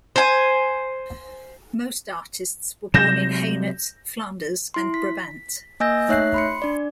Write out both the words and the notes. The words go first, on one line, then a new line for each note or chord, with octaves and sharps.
Most artists were born in Hainaut, Flanders and Brabant.
C5 G#5
C3 F#3 G#3 G6 A#6 E7
E4 C6
B6
A#3 D#5 G#5 E6 G6 A#6
A3 D#4 C#5 E5 F#6 C7
B5 C6 C#7
D4 D5